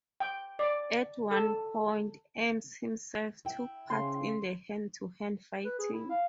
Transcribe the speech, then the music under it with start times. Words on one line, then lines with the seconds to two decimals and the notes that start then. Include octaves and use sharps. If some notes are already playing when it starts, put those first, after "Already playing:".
At one point Ames himself took part in the hand-to-hand fighting.
0.20 G5
0.59 D5
1.31 A4
3.45 E4 G5
3.90 C#3 C6
5.65 B4
5.78 G#4
5.93 E4
6.10 F5